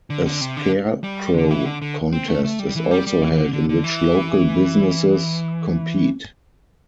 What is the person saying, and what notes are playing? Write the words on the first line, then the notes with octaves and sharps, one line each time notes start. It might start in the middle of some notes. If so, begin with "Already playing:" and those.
A scarecrow contest is also held in which local businesses compete.
D3
D3
C3
D3
G3
D3
E3
D3
D3
C4
A3
A3
G3
E3
G3
G3
E3
E3
D3
D3
D3
E3